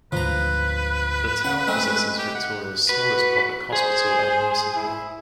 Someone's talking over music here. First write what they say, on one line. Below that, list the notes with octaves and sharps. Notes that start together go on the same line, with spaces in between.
The town possesses Victoria's smallest public hospital and nursing home.
D2 G#2 D3 F3 B4 A#5
C#4 F#5
G#3 A3 C4
G4
F#5
F#4 B4
G#4 C5
E4